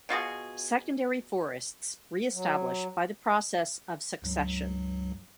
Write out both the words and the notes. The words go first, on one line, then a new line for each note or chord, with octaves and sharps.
Secondary forests re-establish by the process of succession.
B2 F4 F#4 G#4
F#3
C#2 G2 F#3